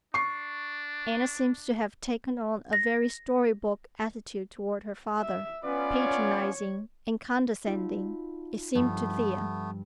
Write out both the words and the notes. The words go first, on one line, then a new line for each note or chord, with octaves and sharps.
Anna seemed to have taken on a very story-book attitude toward her father; patronizing and condescending, it seemed to Thea.
D4 C#6 C7
A#6
E5
B3 C#4 F4 B4 D5
C#5
D#4 F4 F#4
G2 F3 A3 B3